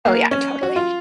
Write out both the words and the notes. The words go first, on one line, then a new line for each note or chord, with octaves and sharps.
Oh, yeah, totally.
A#3
C#4
F#4
F4